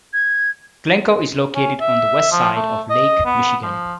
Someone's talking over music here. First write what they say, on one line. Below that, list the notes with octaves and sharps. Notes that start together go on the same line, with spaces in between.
Glencoe is located on the west side of Lake Michigan.
G#6
C#4
E5
F3
A3
D#5
B3
F3